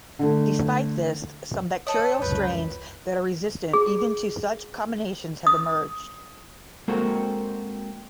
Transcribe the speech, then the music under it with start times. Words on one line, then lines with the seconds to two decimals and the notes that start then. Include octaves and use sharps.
Despite this, some bacterial strains that are resistant even to such combinations have emerged.
0.19 D3 A3
1.87 A4 B4 C#5 D#5 D#6
2.22 C#2 F#2 B4 G6
3.73 G#4
5.47 D#6
6.88 G#3 A#3 C4 F#4 A4 A#4